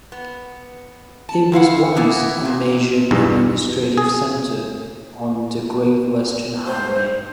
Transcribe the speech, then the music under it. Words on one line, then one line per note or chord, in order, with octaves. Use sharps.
It was once a major administrative centre on the Great Western Highway.
B3
A5
F2 E4 F5 F#5
B2 A#3 B3 E4
E2 A#2
B1 E2 G2
G#4
C5